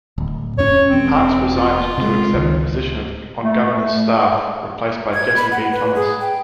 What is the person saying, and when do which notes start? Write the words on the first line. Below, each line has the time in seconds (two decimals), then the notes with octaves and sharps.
Parks resigned to accept a position on Governor's staff, replaced by Jesse B. Thomas.
0.18 D1
0.58 F2 C#4 C#5
0.90 E1 E2 C4
1.56 F4
1.98 C3 G#3
2.34 C#2 D#3
3.42 A3
5.14 G#6
5.36 B5
5.51 F#5
5.71 B4
5.95 G#4
6.21 G5